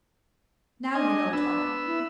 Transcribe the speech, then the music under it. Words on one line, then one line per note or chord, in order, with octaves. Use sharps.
Now you know it all.
D4 D#5 G#5
B3 D4 E6
E4